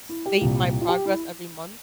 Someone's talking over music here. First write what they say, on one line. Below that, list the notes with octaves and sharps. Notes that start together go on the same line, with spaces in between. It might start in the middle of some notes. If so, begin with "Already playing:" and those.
state my progress every month.
E4
G4
C2 A#2
F4
G4
E4